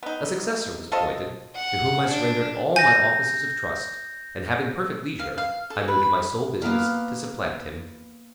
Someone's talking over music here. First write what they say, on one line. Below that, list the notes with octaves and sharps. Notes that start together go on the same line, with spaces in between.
A successor was appointed, to whom I surrendered all my offices of trust, and having perfect leisure, I made it my sole business to supplant him.
B3 D#4
F4 A4 C5 D#5
F#5
D4
G#5 G6 A#6
F5
F5
A4
B4
B5
A#3 B3 A#4 F5